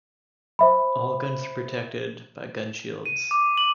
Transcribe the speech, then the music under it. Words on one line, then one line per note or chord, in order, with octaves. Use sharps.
All guns were protected by gun shields.
C5 E5 B5
D#7
D6
F#7